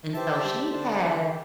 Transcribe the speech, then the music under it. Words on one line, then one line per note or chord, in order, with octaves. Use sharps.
and so she had
E3 G4 C5 E5 A5
G3
D3 D4 C5 A5
D3
G4